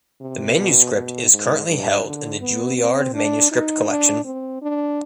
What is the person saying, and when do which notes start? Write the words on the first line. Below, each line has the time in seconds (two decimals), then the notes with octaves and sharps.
The manuscript is currently held in the Juilliard Manuscript Collection.
0.20 C3
0.57 B2
0.94 B2
1.31 G#2
1.67 G2
2.04 D3
2.41 B3
2.78 C4
3.14 D4
3.51 D#4
3.88 D4
4.25 C4
4.62 D4